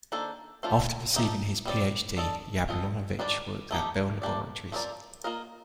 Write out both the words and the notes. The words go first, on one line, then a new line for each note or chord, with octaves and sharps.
After receiving his Ph.D., Yablonovitch worked at Bell Laboratories.
D#3 A#3 D4 A4 C5
A3 D4 F4 A4 C5
F3 A3 D#4 G4
G3 C4 G4 D5
D4 A4 D#5
C4 F4 A4 D#5
D#3 G3 D4 G4 D5
A3 D#4 G4
A#3 D4 G4 D5
F3 C4 D#4 A#4 D5
A#3 F4 A#4 D#5